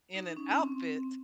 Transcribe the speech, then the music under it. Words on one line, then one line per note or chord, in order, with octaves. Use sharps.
in an outfit
D#4
C#4
C4